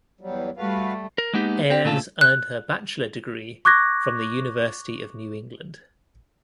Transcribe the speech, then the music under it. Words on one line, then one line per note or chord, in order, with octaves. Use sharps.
Ayres earned her bachelor degree from the University of New England.
E2 F#3 G3
G3 A3 F#4 B4 F5
A#4
G#3 A#3 B3 D#4 G4
C4 G4
A#2 C#3 A3 F4 A4
F#6
C#6 D6 F#6 G#6 A#6